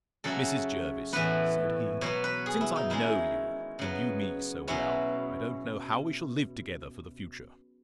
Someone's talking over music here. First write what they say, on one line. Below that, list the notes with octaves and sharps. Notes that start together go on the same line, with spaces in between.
Mrs. Jervis, said he, since I know you, and you me so well, I don't know how we shall live together for the future.
C#3 F#3 A3 C#4 A4
A2 E3 B3 B4
B2 F#3 B3 C#5
B4
G#4
E4
D#4
D#3 G#3 C#4 E4
C#3 F#3 B3
B2 F#3 C#4 E4